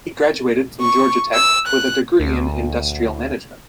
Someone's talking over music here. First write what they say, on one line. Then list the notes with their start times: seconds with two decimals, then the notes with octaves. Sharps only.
He graduated from Georgia Tech with a degree in Industrial Management.
0.81 C#6
1.34 E6
1.67 F#6
2.20 D2